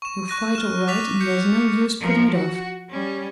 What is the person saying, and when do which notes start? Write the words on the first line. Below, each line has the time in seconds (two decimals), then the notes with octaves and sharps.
He'll fight all right and there's no use puttin' it off.
0.02 C#6 E7
0.28 C#6 F#6 A#6 D#7
0.55 F6 E7
0.87 D6 F#6 A6 B6 F7
1.20 G6 B6 C#7
2.00 F3 A#4
2.32 F#4
2.90 G3 C#4